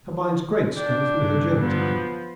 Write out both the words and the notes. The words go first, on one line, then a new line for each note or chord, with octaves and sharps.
Combines great strength with agility.
D4 G5
G2 D3 F#3
F3 B3